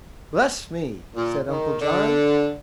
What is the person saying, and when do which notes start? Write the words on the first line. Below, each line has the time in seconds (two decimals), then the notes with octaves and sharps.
"Bless me!" said Uncle John.
1.15 A#2
1.48 D#3
1.79 D3